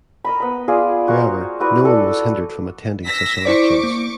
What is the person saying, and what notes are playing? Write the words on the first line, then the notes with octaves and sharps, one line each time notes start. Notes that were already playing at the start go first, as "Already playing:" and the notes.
However, no one was hindered from attending such elections.
A#4 D#5 B5
B3 B5
F4 G#4 D5 F5
F#4 A#4 C5
E4 F#4 B4 D5
A4 D5
E6 A#6 B6
E4 C5 D5 C#6 D6
A#3